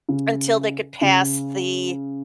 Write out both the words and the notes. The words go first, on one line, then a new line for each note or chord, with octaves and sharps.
Until they could pass the,
C#3
C#3